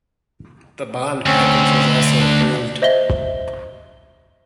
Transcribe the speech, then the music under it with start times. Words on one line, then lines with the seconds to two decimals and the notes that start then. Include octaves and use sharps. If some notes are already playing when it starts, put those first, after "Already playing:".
The bond package was also approved.
1.26 D2 C4 C#4
2.20 D4
2.82 C5 D#5 E5 G7